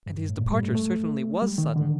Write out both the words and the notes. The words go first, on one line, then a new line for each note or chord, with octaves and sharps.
And his departure certainly was sudden.
G2
G2
A2
A#2
G3
A3
A3
G3
D#3
D3